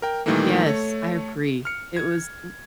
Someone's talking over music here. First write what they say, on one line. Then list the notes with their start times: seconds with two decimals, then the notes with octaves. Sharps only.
Yes, I agree. It was m
0.02 A#4 G5
0.26 A#2 D#3 E3 G3 A3 A#3
0.66 A3 C#5
1.65 F6 C#7
1.97 G#6